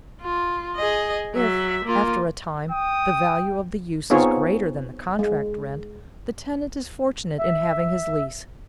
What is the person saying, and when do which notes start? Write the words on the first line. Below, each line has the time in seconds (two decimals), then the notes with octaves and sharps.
If, after a time, the value of the use is greater than the contract rent, the tenant is fortunate in having his lease.
0.22 F4
0.77 G#4 D#5
1.35 F#3 E5
1.85 A#3 F4
2.71 G5 D#6
4.10 B3 C4 D#4 F4 G#4 C#5
5.19 G#3
7.38 E5